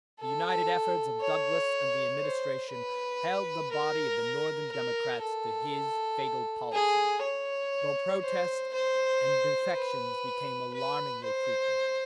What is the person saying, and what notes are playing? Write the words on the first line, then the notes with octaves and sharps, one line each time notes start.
The united efforts of Douglas and the Administration held the body of the Northern Democrats to his fatal policy, though protests and defections became alarmingly frequent.
A4
C#5
C5
B4
A#4
A#4
A4
G#4
C#5
C5
C5
B4
B4
C5